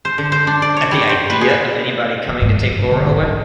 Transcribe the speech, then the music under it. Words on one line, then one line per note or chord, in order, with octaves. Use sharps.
At the idea of anybody coming to take Laura away?
C5
D3
C5
D4
D5
C#5
G3
C5
B4
G#4
E3
G#2
G2
C#3
D3
G#1
G3